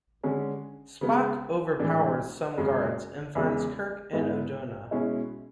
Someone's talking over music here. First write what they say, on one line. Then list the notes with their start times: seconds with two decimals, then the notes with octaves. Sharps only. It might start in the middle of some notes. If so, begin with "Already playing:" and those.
Spock overpowers some guards and finds Kirk and Odona.
0.23 D3 G#3 C#4
1.01 C#3 G#3 B3
1.79 A2 E3 G#3 D4
2.57 F#2 C#3 G#3
3.35 E2 C#3 G#3
4.13 G#2 G#3 B3 E4
4.91 B2 G#3 C#4 E4